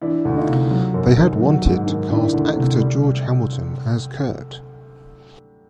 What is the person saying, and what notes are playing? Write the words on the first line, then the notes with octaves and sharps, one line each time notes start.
They had wanted to cast actor George Hamilton as Kurt.
E3 D4 E4
D2
D#4 F4
C3
F#3
F#2
D#3
F#3
G#2
D#3
D#3 D4 E4
D2
C3
G3